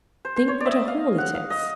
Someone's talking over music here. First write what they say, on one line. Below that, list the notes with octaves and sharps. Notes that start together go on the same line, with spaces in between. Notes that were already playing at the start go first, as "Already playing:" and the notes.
Think what a haul it is!'
C5
C5
C#5
D5 E5
D#5
F5
F#5
F5
D#5